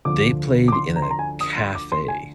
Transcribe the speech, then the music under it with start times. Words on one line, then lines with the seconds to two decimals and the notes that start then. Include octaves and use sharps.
they played in a cafe
0.05 D2 D3 F3 D6
0.68 D6
0.72 C6
0.96 A#5
1.02 C6
1.10 A#5
1.19 G#5
1.41 D#6
1.57 C6
1.75 D6
1.92 C6
2.08 G#5